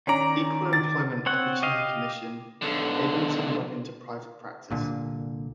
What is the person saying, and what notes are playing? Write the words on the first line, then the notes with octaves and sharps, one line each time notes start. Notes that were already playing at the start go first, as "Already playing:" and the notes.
Equal Employment Opportunity Commission, Abramson went into private practice.
D#3 C#4 D5 A#5
A6
C4 C#5 F#5
G4 D#5 F5
B1 D3
C2 A#2 D3